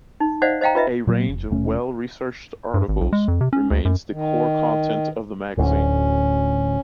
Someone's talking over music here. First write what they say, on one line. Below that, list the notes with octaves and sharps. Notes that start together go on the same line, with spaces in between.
A range of well-researched articles remains the core content of the magazine.
D#4
C5 D5 D#5 F5 F#5
C5 D#5 F5 G5 A#5
F4 B4 D#5 E5
A#2 F#3 G#3 A#3
F1
D#1 B2 A3 C#4
G2
G#1
B1
G#3
F2
C3
C#4
D2
F#2
D#3
D1 D2 C#4